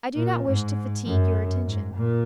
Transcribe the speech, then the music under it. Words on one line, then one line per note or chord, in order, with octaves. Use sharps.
I do not wish to fatigue your attention.
A#2
G#2
F#2
G#2
A#2